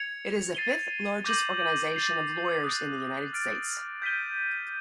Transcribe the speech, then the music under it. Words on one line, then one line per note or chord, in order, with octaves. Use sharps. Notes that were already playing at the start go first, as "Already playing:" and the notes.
It is the fifth largest organization of lawyers in the United States.
Already playing: G#6 C#7 F7
A6 C7 D#7 G7
D6 G6 A#6 D#7 F#7
A6 C7 F7
D#6 F#6 A6
F6 A6 D7
G6 B6 D#7 G7